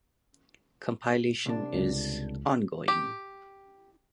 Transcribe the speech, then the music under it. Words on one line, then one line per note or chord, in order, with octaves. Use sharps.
Compilation is ongoing.
C2 D4
C#2
G4